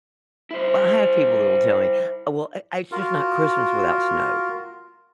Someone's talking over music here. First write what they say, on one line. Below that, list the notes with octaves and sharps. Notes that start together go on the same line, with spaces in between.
Well, I have people that will tell me, "Oh, well, I it's just not Christmas without snow,
E4 C5
F4 F#4 A#4